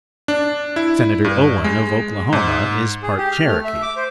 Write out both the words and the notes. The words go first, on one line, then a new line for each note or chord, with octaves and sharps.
Senator Owen of Oklahoma is part Cherokee.
D4
E4
G2
G#3
G#2
G#4
G4
F6
A3
E5
D6
C5